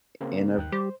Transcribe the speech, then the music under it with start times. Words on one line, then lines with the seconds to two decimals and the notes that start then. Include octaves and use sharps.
in a
0.21 C#3 A#3 C4
0.57 D#2 D#3 G5 F#6
0.72 G3 G4 C5